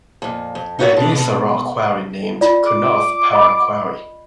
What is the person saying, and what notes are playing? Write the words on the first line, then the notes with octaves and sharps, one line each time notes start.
There is a rock quarry named "Kunnoth Para Quarry".
F2 A#2
F2
D#4 E4 F#4 B4 C#5 E5
B2 D4
B2
F4 D5
D6
D#5 B5